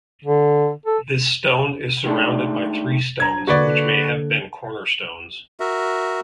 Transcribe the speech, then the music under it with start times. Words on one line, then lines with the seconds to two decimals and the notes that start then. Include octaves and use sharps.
This stone is surrounded by three stones which may have been cornerstones.
0.25 D3
0.86 A4
2.04 D#3 G#3 A3 D4
3.20 D4 C5 A#5 G#6
3.47 D3 A#3 F#4 B4 D5
5.60 F#4 A#4 E5